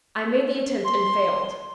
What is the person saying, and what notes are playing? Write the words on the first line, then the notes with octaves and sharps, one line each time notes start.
I made the attempt and failed.
C6